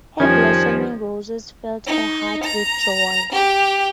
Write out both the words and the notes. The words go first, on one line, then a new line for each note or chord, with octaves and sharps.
Her blossoming roses filled her heart with joy.
F2 D#3 F3 G3 C4 C#4 G#6
D#4
A#5
G4